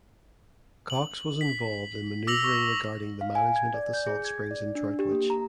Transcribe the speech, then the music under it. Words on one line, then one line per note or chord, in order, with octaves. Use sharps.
Cocks was involved in manoeuvring regarding the management of the salt springs in Droitwich.
F#7
B6
D6 E6 A#6 F7 F#7
C#6 A#6
F5
G#5
G#6
D5
G6
G#4
G#6
D5
D4
G4
A#3
A#5